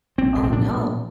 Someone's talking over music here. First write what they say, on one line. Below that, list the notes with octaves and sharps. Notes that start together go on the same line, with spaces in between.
Oh, no.
A#1 C4
A#1
C4
A#2 D4
A#2